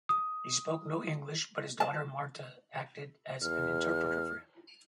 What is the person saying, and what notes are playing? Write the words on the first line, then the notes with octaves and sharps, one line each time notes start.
He spoke no English, but his daughter Marta acted as an interpreter for him.
D#6
A5
E2 F6